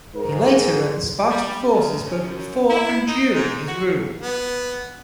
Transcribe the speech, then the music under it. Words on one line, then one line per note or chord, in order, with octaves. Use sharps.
He later led the Spartan forces both before and during his rule.
G#2 A#4
G3
D2
C#3
F#2
E4
D#4
G#2
F#4
B3